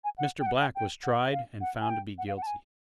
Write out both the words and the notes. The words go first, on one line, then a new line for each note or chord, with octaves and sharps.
Mr. Black was tried and found to be guilty.
G#5
F#5
G5
F#5
G5
G5
F#5
F5
F#5
G#5
G5
F#5
F5
F#5
A5
G#5